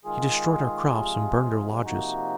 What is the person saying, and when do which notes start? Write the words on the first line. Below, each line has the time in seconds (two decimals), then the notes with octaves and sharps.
He destroyed our crops, and burned our lodges.
0.05 D#3 G#3 F4 G#4
0.95 C3 F3 G#3
1.85 C3 F3 A#3 D#4 F#4